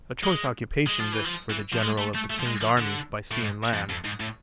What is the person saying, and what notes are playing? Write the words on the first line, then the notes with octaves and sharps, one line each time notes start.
A choice occupation this for the General of the King's Armies by Sea and Land.
G#3
G#3
F3
E3
F3
E3
F3
G#3
A3
A3
A3
F3
G#3
F3
D3
A2
G#2
F2
F2
G#2
A2